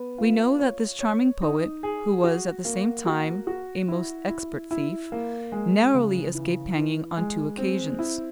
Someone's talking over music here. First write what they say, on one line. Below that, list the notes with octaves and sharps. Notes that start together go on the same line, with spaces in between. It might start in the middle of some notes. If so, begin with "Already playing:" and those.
We know that this charming poet, who was at the same time a most expert thief, narrowly escaped hanging on two occasions.
Already playing: B3
F4
C#5
C#5
D#4
G#4
F#4
A#3
F#4
F#4
E4
E4
E4
A#3
G#3
C#3
E3
E3
G#3
C4
E4